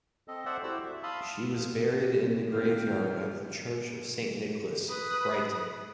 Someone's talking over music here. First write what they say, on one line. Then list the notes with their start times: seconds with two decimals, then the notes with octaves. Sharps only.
She was buried in the graveyard of the Church of Saint Nicholas, Brighton.
0.28 C4 A4 D#5
0.45 A4 C5 D5 E5 F#5
0.63 E4 F#4 G4 C5 D5 E6
0.83 E5
1.03 F5 A5 B5 C6 D#6 E6
1.28 F6
2.52 D#3 C4 C5 F5 G5 F6
4.89 B4 D#6